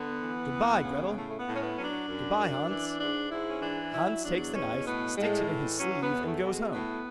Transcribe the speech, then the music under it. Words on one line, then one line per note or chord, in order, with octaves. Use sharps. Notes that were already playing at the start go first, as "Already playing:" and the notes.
'Goodbye, Gretel.' 'Goodbye, Hans.' Hans takes the knife, sticks it in his sleeve, and goes home.
Already playing: D3 B3
E3
D2
C#3
A2 A3
A3
B3
A2
C#4
B3
F#3 C#4
D4
F#2
F#2
E3
G#2 D4
G#2 E4
C#4
E3 D4
F#3 E4
E2 D4
B2 C#4
A2 B3
A2 G#3
E3
F#3 C#4
B3
E2
A3
B2
G#3
A2 B3